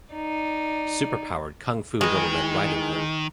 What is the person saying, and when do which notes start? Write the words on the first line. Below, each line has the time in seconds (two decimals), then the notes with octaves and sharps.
Super Powered Kung Fu Little Red Ridding Hood!
0.13 D#4 D5
2.01 D#3 E3 G#3